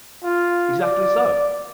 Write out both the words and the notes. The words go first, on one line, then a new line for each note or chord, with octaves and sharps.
"Exactly so."
F4
D5